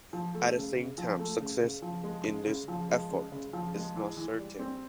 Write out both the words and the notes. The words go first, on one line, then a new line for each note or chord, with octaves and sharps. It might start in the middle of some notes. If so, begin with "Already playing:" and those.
At the same time success in this effort is not certain.
F3
A3
C#3
C#3
F3
A3
C#3
C#3
F3
G#3
C#3
C#3
F3
G#3
C#3
C#3
F3
G#3
E3
E3
G3
C4